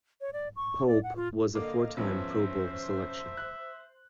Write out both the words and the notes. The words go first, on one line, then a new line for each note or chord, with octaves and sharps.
Paup was a four-time Pro Bowl selection.
C#5
D5
C#6
D5
F#5
F4
D3 A#3 D#5 F5 D6
G#1 F3 B3 C#4 C5 E5
C#4
F#6